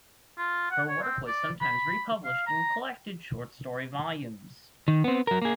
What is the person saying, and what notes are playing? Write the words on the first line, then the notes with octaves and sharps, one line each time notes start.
Her work was sometimes republished in collected short story volumes.
F4
F#5
C#5
C4
D5
B5
F5
A#5
D#3
B3 C4
F#3 A#4
A#3 G#4